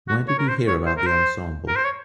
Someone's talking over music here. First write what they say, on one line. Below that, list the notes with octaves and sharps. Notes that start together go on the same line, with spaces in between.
Where did you hear about the ensemble?
F#4
C#5
A#4
C5
C#5
C5
A#4
C5
A#4
C5
C#5